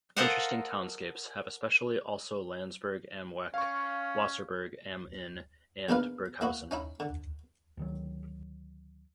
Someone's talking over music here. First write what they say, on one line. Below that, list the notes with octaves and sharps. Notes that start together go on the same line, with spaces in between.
Interesting townscapes have especially also Landsberg am Lech, Wasserburg am Inn and Burghausen.
A4 A#4 C5 D#5 F5 F#5
C#4 F5 C#6
E2 A#2 D4 D#4 B4 F5
A#3 E4 F#4
C#4 D#4 E4
D3
D2 D#3 F#3